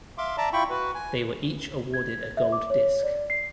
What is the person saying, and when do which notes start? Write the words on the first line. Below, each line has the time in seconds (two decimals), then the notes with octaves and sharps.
They were each awarded a gold disc.
0.18 E5 F5 C6 D6
0.38 D5 E5 A5 A#5 D6
0.53 E4 F4 G5 B5 C#6
0.70 F#4 B4
0.95 G#5
1.94 G#6
2.37 E5
2.52 D6
2.70 C#5
3.03 D5
3.30 C7